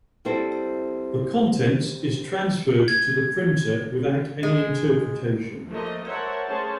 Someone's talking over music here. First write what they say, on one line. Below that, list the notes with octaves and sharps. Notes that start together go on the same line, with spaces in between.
The contents is transferred to the printer without any interpretation.
G3 C4 E4 A4 C5
G#6
G#3
F3 A3 A#3 D#5
A#4 C5 C#5 E5 F#5 A5
A3 C#4 G#4 C5 C#5 A5